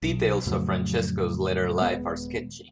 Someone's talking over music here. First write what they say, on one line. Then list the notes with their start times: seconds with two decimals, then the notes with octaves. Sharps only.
Details of Francesco's later life are sketchy.
0.03 B1
0.47 F2 A2 C#3 F#3
1.79 D#1 G#3 B3